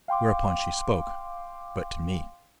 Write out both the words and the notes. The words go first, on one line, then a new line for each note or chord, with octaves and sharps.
Whereupon she spoke, but to me.
F5 G5 C6 D6